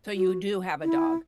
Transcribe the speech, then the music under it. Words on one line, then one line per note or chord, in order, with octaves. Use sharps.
So you do have a dog?
F#4
E4